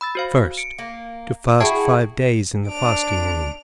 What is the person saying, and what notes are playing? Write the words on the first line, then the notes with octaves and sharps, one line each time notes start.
First.--To fast five days in the fasting room.
B5 E6 A6
F#4 C5 F5
C#7 D7
A#3
E4 F#4 G#4 G5 A5 G#6
D4 D7 F7